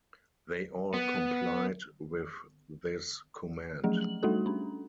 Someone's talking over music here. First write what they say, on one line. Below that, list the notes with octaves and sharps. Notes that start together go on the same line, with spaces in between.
They all complied with this command.
B3
F3 F#3 A3 C#4 G#4
F#7
G3 A3 D4 D#4 F#4 A4
C#4 D4